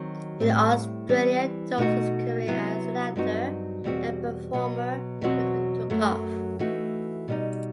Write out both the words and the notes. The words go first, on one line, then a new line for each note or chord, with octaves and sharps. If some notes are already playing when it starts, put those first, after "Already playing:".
In Australia Dorsey's career as an actor and performer quickly took off.
Already playing: D#3 F#3 C4 F#4
A2 G3 C4
E3 G3 C4
B2 A3 D#4 F#4
C3 F#3 B3 E4
G2 F#3 C4 D#4 F#4
E2 B2 G3 C4 F#4
B2 F#3 B3
E2 B2 F#3 C4 F#4
F#2 F#3 A3
E3 A3 D#4 F#4
B2 G3 B3 D#4